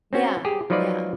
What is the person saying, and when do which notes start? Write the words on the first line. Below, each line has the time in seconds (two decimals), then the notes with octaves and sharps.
Yeah, yeah.
0.13 C4 C#4 F#4
0.45 G4 G#4
0.70 F3 F#3 D#4 F4 B4 D5